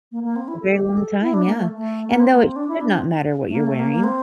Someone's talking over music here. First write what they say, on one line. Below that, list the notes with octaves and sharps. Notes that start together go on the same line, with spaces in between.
A very long time, yeah, and though it should not matter what you're wearing,
A#3
A#3
C4
E4
A4
G4
G4
A4
E4
D4
A#3
A3
A3
A#3
C4
A#3
C4
D4
E4
D4
C4
A3
A#3
A3
A#3
A#3
C4